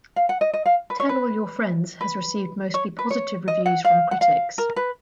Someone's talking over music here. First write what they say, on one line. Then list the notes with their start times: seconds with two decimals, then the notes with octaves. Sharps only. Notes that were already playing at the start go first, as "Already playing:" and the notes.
"Tell All Your Friends" has received mostly positive reviews from critics.
0.16 F5
0.29 F#5
0.41 D#5
0.53 D#5
0.66 F5
0.90 B4
1.00 C#5
1.09 B4
2.01 B4
2.74 C#5
2.99 B4
3.11 C#5
3.48 D#5
3.66 F#5
3.85 F5
4.11 F#5
4.21 F5
4.58 A#4
4.76 B4